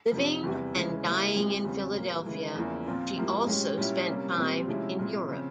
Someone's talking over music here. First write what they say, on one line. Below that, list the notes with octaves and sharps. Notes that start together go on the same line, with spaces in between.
Living and dying in Philadelphia, she also spent time in Europe.
F2 C3 F3
E2 C3 E3 G3
C#3 E3 G#3
C#3 G3 A#3 E4
A#2 G#3 C4 E4 G4
E2 C#3 G3 C4
A#2 G3 A#3
C#3 E3 G#3
E2 C#3 F3 A#3 E4
A#2 F3 C4 F4
G#2 F3 A#3 E4 G4
A#2 G#3 C#4 G4
A#2 G3 C#4 E4 G4
C3 G3 A#3 C#4
A#2 G3 C4
C3 F3 G#3 C#4 E4
A#2 F3 C4 E4
C#3 F3 C4